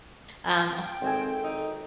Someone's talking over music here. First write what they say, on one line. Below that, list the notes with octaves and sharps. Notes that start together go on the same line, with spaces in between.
Um, h
G5
G#1 C4 A4 G#5
D#4